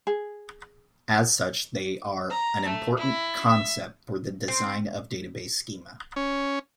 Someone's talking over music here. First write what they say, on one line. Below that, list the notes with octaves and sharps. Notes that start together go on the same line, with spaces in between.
As such they are an important concept for the design of database schema.
G#4
A#5
A3
E4
E5
C4
C#4